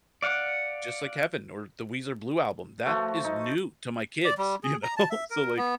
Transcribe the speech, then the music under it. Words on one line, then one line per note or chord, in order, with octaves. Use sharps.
Just Like Heaven or the Weezer Blue Album, that is new to my kids, you know? So like,
D5 F5 F#5
F3 A3 F#4
D#4
D5
G3
G#4
A#5
A5
E5
A#4
B3